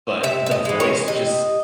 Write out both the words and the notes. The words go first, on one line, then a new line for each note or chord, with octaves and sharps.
but the voice just
C3 E5
E5
D#5
E3 G#3
C#5
C3 D#5